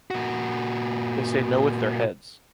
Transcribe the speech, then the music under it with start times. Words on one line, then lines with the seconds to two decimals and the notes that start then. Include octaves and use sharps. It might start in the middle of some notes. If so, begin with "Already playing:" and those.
They say no with their heads.
0.11 A#2 F#4